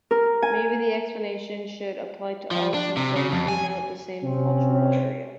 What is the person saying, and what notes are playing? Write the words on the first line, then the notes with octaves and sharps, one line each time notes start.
Maybe the explanation should apply to all since they denote the same cultural area.
A#4
G#5
F3
D4
C3
C#3
F2
G#5
C3 C4 C#4